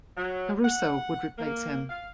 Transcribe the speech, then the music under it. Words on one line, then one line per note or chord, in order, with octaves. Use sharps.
Caruso would replace him.
F#3
F#5
A#3
F5